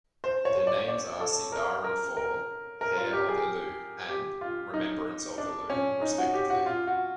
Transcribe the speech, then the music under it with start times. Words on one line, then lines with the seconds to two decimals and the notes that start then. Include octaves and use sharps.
Their names are Sindarin for "Heir of Elu" and "Remembrance of Elu", respectively.
0.24 C5
0.45 C#5
0.67 D5
0.88 D5
1.20 A4
1.52 A#4
1.84 A#4
2.17 A#4
2.81 A#4
2.97 F4
3.13 G4
3.29 G#4
4.09 G4
4.41 F4
4.74 D#4
5.38 D4
5.70 C#4
6.02 D#4
6.18 F#4
6.34 G4
6.50 F#4
6.66 F4
6.87 F#4